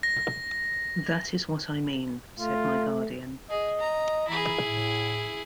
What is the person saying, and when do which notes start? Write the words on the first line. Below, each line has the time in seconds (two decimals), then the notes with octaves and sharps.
"That is what I mean," said my guardian.
0.03 A#6
2.40 A3 F4
3.50 G#4 D#5
3.79 A#5
4.28 E3 E4 G#4 A#5 B5
4.64 A2